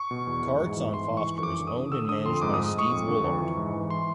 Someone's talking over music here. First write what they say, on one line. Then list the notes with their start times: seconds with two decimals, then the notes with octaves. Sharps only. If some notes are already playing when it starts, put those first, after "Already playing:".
Carts on Foster is owned and managed by Steve Woolard.
Already playing: C#6
0.11 B2
0.27 E2
0.43 E3
0.60 G#2
0.77 E3
0.92 G#2 C6
1.10 E3
1.17 C#6
1.26 E3
1.38 C#6
1.42 F#2 D6
1.59 D3
1.67 D#6
1.76 D3
1.92 D3 E6
2.09 D3 D#6
2.25 F2 C6
2.42 G#2 D6
2.54 D#6
2.59 G#2
2.66 D#6
2.75 G#2 C#6
2.92 F2
3.08 D3
3.24 F2
3.42 E3
3.57 G#2
3.74 E3
3.90 C6